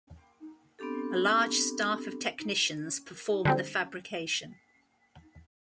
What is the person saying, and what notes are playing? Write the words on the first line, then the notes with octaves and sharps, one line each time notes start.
A large staff of technicians perform the fabrication.
B3 C4 D4 G4 A4
D3 G3 C4